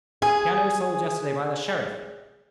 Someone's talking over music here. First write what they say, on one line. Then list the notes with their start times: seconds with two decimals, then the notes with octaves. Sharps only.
Piano sold yesterday by the sheriff.
0.22 G#4 G#5